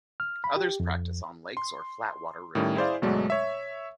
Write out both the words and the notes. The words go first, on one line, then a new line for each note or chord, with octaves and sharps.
Others practice on lakes or flatwater rivers.
F6
B5
G4
F2
C6
A2 D#3 G3 C#4
E4 G#4 C5 D5 F5
G1 B2 F#3 G#3 A3 D5
C#5 E5